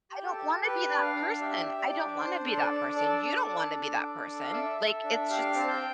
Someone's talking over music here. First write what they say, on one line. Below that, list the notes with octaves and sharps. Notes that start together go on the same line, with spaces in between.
I don't wanna be that person. I don't wanna be that person, you don't wanna be that person, like, it's just
G4
A4
G4
G4 B4
D4
F5
D4
G4 E5
G4
D5
D4
D4 C5
A4
C5
D5
D4
A4 D5
A4
D4
A4
D4
A4
F5
A4 E5
A4
D4
G4 F5
C4 A5
G5